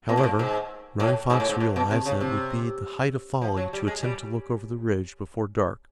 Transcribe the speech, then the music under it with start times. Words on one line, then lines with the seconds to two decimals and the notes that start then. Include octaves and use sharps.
However, Running Fox realized that it would be the height of folly to attempt to look over the ridge before dark.
0.09 B2
0.17 A2
0.23 A#2
0.39 G#2
1.00 A2
1.30 G#2
1.40 A2
1.49 G#2
1.60 A2
1.76 B2
1.91 C3
2.06 C#3
2.21 C3
3.42 F3
3.57 F#3
3.73 G3
3.87 G#3
4.03 G3